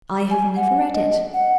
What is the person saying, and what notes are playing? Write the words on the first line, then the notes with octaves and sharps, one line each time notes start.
"I have never read it."
G#5
F#5
D#5
F#5